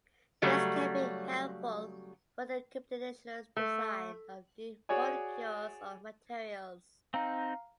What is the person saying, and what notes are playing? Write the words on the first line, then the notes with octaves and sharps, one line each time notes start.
This can be helpful for the computational design of new molecules or materials.
C#3 F#3 G3 A3
A3
F#4 G#4 C#5 D5 G#5
C4 D#4 F5 A#5